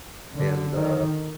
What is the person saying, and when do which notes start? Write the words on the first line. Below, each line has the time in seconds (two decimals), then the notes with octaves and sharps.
and, uh
0.34 D3
0.75 D#3